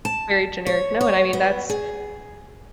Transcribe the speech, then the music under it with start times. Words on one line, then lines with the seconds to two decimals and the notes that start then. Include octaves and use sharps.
very generic. No, and I mean, that's
0.05 A5
0.66 C#5
1.01 C#5
1.33 B3
1.69 G#4